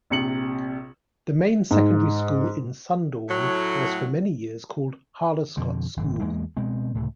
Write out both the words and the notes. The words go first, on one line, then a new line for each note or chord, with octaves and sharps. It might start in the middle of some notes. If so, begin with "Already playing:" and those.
The main secondary school in Sundorne was for many years called "Harlescott" school.
A#1 C3 C#7 F#7
G#2
A2 F#3
F2 B2 D3
G#1 F#2 A#2
E2 G#3 A#3
B2 G#3 C4
C#2 A2 C3